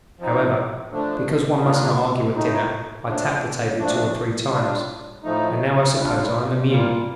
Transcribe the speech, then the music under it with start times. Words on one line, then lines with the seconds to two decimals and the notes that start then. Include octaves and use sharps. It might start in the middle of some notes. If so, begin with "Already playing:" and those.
However, because one must not argue at dinner I tapped the table two or three times... and now I suppose I am immune.
0.20 F3 C4 D#4
0.91 D3 F3 A3 D4
1.62 A#2 G3 A#3 D4 F4
2.35 A2 A3 D#4
3.07 F3 A3 D4
3.79 A#2 F3 A3 D4
4.51 A2 G3 D4 F4
5.23 A2 F3 A3 D#4
5.95 C3 G3 D4 F4
6.67 A#2 G3 A#3 F4